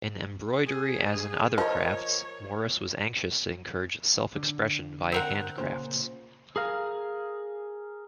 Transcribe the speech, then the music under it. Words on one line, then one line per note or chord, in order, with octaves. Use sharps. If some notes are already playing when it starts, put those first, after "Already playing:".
In embroidery as in other crafts, Morris was anxious to encourage self-expression via handcrafts.
G#4
F3 A#4 C#5 D#5
D3
C4 A#4 F#5
A#2 C#3 C5
G#4 A#4 F5